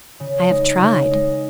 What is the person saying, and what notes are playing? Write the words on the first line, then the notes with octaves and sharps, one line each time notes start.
I have tried.
C#3
G#3 D#4
C#3
G#3 D#4